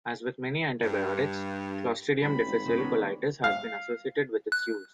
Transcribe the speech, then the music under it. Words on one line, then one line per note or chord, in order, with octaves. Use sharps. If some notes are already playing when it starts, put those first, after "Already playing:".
As with many antibiotics, "Clostridium difficile" colitis has been associated with its use.
G2
A1 G3 C5 B5
G#1
F1 C#2 C5 D#5
D#3 B3 D4 C#5
D2
F5
F#6